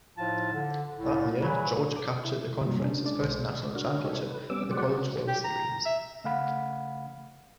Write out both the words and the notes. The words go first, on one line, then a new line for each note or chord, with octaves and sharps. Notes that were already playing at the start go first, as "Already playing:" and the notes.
That year, Georgia captured the conference's first national championship at the College World Series.
A2 F3 D#4 F4 A5
D3
C2 A2
C#3 F#3 G3 E4 G#4 B4
D6
E4
G2 A#2 F#3 G3
C#4 D4
G#3 D4 D5
B1 G#3 C5
D4 F#4 A#4
D#4 G4 A4 C5 C#5
B4
G3 B3 C#4 D6 E6
F#3 G#3 G4 C5 D5 F#5
F#4
G4
A#5
E5
C#3 A3 F5 F#5 B5